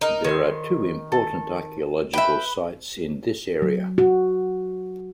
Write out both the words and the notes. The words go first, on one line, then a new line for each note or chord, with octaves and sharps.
There are two important archaeological sites in this area.
D#4 A#4
D#3 C#5 C6
A4
B4 E5 G5 B5
F#3
F#4